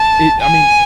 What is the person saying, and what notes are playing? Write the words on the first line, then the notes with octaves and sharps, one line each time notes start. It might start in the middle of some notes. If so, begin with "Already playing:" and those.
it I mean,
Already playing: A5
G#5